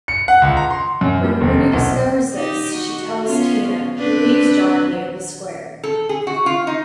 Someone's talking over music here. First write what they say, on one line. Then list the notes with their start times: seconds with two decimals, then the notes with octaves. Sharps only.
When Ruby discovers this she tells Tina, who leaves Johnny and the Square.
0.08 C#7
0.28 F#5
0.42 C#2
0.57 A#5
0.70 C6
1.01 F#2
1.24 G3
1.41 F1
1.73 B1
2.33 D#4 G4
2.75 F#4
3.27 B3 C#4 F4
3.97 C4 D4 B4
5.84 A4
6.09 G#4
6.27 F#4
6.46 F4
6.67 D#4